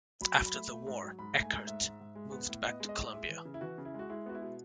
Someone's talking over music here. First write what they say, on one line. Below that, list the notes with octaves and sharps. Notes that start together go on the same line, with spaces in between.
After the war Eckert moved back to Columbia.
F#3 B5
F#3
B5
A3
A3
G#2
F#3
G#2 B5
A3
G#5
G#2
G#2 E5
G#2
G#2
G#3
B3
A2
B3 D#5
G#3
D#5
A2
G#3 E5
E3
C#3
E4
E3 F#4
C#3
E4
G#3 F#4
G#3 E4
B3 F#4
E4
B2